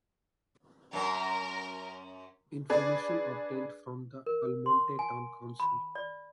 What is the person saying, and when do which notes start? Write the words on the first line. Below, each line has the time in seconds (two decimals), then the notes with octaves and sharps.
Information obtained from the Almonte Town Council.
0.93 F#2 C#4 A#4
2.70 D4 G#4 B4 D5
4.26 A#4
4.66 C6
4.99 G#5
5.60 B5
5.95 D5